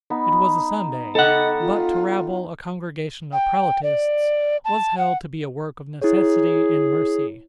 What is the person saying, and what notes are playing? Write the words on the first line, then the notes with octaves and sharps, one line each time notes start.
It was a Sunday; but to rabble a congregation of prelatists was held to be a work of necessity and mercy.
B3 D#4
D#4 A4 D#5 F#5 G5 B5
F4
G5
D5
A5
F#5
E4 G#4 C#5